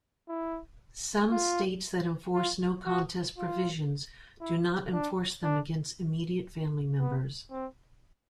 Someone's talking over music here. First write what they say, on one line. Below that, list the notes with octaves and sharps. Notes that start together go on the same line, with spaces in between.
Some states that enforce no-contest provisions do not enforce them against immediate family members.
E4
F4
F4
F#4
F4
E4
D4
D4
B3
C4